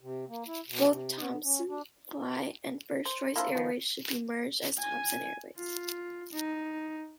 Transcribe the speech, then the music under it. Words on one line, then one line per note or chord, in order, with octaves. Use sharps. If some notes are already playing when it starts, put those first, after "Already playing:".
Both Thomsonfly and First Choice Airways would be merged as Thomson Airways.
C3
A#3
E4
B2
C3
B3
C#4
D4
C5
A#3 D4 E4 F4 C5
D#3 F3
G#5
F4
D#4